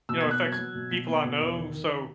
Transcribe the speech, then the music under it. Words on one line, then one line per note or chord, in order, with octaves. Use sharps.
you know, it affects people I know. So,
B2 E6
B3 G#6
F#6
F#3
G#6
F#3
B2
B2
B3
B2
E2
D#3
D#3